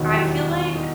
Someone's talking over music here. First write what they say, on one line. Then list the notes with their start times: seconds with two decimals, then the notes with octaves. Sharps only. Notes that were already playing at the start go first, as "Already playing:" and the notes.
I feel like,
Already playing: E1 D#2 D#3 F#3 B3 D#4 F#4
0.12 E4 G4
0.75 D#4